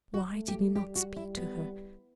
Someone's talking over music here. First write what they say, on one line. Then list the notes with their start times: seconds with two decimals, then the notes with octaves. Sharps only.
Why did he not speak to her?
0.14 F#4
0.34 A3
0.48 G4
0.75 G3 G4
0.95 F#4
1.16 E4
1.37 B3